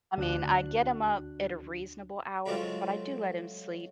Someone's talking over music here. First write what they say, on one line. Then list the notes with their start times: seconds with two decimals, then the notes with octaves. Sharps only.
I mean, I get him up at a reasonable hour, but I do let him sleep
0.18 D2 D4 F#4 F#6
2.46 C#3 F#3 G#3 A3 C4 F4